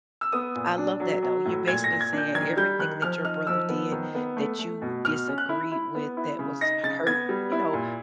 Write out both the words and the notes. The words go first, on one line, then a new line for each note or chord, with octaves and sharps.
I love that, though. You're basically saying everything that your brother did that you disagree with that was hurt you know,
E6
B3 D#6
A#2
D4
F#3
F#3
A2
A#2 G#6
A#6
A#2
G#6
D4 G6
D#3 G#6
G3 G6
D#3 F#6
F3 F6
D#4 F6
F3 E6
B3
D#3
B3
A3
A3
B2
B2 F6
C#4
F#6
E4
E4
B3
E4
C#3
D#4 A#6
C#3 A6
B3 G#6
G3
E4
A#2